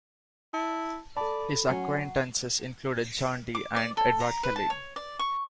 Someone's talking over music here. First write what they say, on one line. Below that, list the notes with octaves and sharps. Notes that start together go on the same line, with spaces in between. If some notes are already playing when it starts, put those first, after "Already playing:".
His acquaintances included John Dee and Edward Kelley.
E4 A5
A4 D5 A5 B5
F#3 C#4 F#5
D6
D5
A4
A#5
B4
A5
C#5
D5
C#6